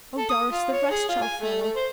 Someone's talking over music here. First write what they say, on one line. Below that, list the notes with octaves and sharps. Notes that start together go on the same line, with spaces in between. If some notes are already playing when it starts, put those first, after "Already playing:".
Oh, Doris, the rest shall follow.
A4
D#6
F4
C#5
G#4
F4
G#5
A3
A3
C5